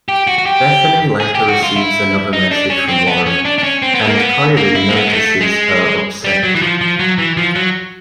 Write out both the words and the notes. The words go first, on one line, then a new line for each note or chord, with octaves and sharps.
Bethany later receives another message from Lauren and Kylie notices her upset.
G4
F#4
F#4
G4
G#4
G4
F#4
F4
E4
D#4
D4
C#4
C4
B3
C#4
D4
D4
C#4
C4
B3
A#3
B3
A#3
E4
A#3
B3
G#3
A3
G#3
G3
F#3
E3
F3
F3
F#3
E3
F3
F#3